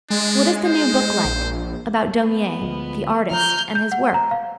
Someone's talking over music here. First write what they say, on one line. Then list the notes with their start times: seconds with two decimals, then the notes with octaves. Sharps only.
What is the new book like, about Daumier, the Artist and his Work?
0.10 G#3 D4
0.66 C5
1.25 A#1
2.22 B3
2.62 D2 F3 G#3
3.31 F3 A#5 F6 G6
3.75 G6
3.92 F#5
4.14 A#5
4.31 F5